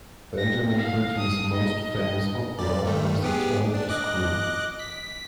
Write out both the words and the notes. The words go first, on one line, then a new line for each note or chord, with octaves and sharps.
Benjamin Britten's most famous opera was The Turn of the Screw.
A#6
F5
D#6
D#5
D#5
F#2 D5
G#2 D#3 A3
B3 G4 G#4
D4
D#5 D6 F#6
B6